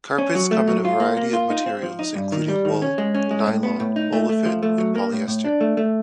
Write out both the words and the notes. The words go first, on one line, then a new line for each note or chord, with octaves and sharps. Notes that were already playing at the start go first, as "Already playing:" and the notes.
Carpets come in a variety of materials including wool, nylon, olefin and polyester.
C#4
F#3
A3
F#3
F4
A#3
A#3
F4
D#4
C4
F3
D#4
G2
D#3
G3
D#3
C#4
G#3
C#4
G#3
A2
B3
A2
D#4
A3
A3
F3
A3
F#3
A#3
A2
A2
D4
A3
A3